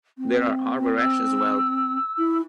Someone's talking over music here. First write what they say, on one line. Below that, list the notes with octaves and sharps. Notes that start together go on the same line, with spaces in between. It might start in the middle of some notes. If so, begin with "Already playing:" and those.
There are Arbereshe as well.
C4
E6
E4